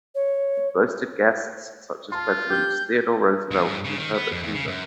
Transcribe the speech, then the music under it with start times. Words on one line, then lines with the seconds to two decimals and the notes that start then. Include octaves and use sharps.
It boasted guests such as Presidents Theodore Roosevelt and Herbert Hoover.
0.15 C#5
2.12 F4 A5 C6
2.50 G4 G6
3.51 D#2
3.64 G2
3.85 C#3
3.98 D#3
4.15 B3
4.32 F2
4.43 E2
4.55 C#3
4.68 F#2